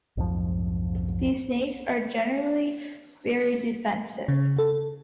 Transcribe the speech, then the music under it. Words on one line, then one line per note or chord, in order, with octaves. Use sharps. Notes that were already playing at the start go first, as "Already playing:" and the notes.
These snakes are generally very defensive.
B1 F2 G#2 F3
C#3
A4